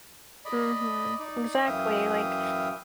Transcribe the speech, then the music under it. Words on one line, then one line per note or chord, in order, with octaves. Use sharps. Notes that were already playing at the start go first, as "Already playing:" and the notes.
Mhm, exactly, like,
D5 D#5 B5
D#4 D5
F#2 E3 E5 F5 G5 D#6